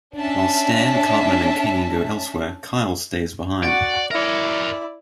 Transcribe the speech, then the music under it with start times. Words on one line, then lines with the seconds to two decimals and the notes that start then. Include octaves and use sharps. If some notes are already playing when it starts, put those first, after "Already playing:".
While Stan, Cartman and Kenny go elsewhere, Kyle stays behind.
0.17 C#4 D4 E5 A5
3.63 F#4 D5 F#5
4.11 E4 A#4 C#5 D5